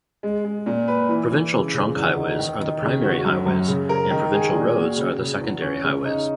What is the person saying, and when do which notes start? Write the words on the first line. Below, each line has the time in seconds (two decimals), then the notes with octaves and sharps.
Provincial Trunk Highways are the primary highways, and Provincial Roads are the secondary highways.
0.23 G#3
0.44 G#3
0.66 A#2
0.88 B4
1.09 E3
1.31 E3
1.52 C#3
1.74 C#3
1.96 E2
2.17 D#4
2.39 D#3
2.60 D#3
2.82 C#3
3.03 F#4
3.25 F#2
3.46 F#2
3.68 C#3
3.89 A#4
4.11 D#3
4.33 G#4
4.54 A#2
4.76 F#4
4.97 C#3
5.18 C#3
5.40 E2
5.62 C#4
5.83 C#3
6.05 D#4